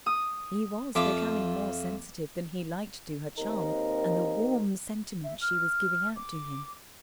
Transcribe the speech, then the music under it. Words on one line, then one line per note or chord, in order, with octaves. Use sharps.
He was becoming more sensitive than he liked to her charm and the warm sentiment she was giving out to him.
D#6
F2 F4 E5 D6
D#2 C4 D#4 A#4
E5
F6
D6